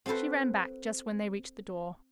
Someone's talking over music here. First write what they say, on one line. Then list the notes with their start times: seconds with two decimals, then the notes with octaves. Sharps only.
She ran back just when they reached the door.
0.06 C4 F#4 A4 B4 C5